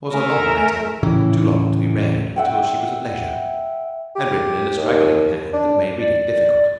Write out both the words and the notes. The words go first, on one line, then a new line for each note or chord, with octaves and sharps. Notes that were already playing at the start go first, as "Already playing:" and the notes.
It was a long letter, too long to be read until she was at leisure, and written in a straggling hand that made reading difficult.
A3 A#4 E5 G#5
A2 C#3 E3
E5 F#5 G5
G4
D#2
D4
D5